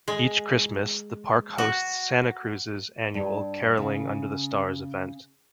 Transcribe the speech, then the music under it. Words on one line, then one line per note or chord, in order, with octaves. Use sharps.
Each Christmas the park hosts Santa Cruz's annual "Caroling under the Stars" event.
G#3
F#4
G2
C#3